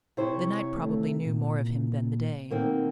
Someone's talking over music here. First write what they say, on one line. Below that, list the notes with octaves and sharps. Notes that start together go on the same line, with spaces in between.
The night probably knew more of him than the day.
C3 E4 C5 C#5
A3
A#2
B2 D#3 A#3 C4